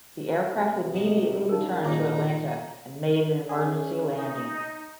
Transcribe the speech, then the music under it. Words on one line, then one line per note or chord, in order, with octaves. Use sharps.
The aircraft immediately returned to Atlanta and made an emergency landing.
C3
B2 G#3
C#3 D#4 A#4
D#2 A#2 D#4 D5 A#5 D6
C#4 G#4 E5
D#4